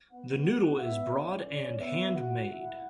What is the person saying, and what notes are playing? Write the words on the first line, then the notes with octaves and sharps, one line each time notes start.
The noodle is broad and hand-made.
B3 F#5
B3 E5
C#4 D5
C#4 D5
B3 E5
F#4 F#5
E4